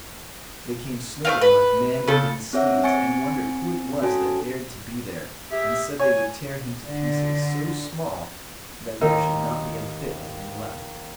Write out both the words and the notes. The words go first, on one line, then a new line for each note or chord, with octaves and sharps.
They came snorting like man-eating steeds, and wondered who it was that dared to be there, and said they would tear him to pieces, so small that there should not be a bit of him left.
A3 C4 F5
B4
C#3 A4
C4 G#4 C#5 E5 F#5
C4 G#5 C#6 A6 C#7
C#4 F#4 A4 G#5 A5
G4 G#4 E5
C#5 G#5
D3
D#2 D#4 A#4 D#5 E6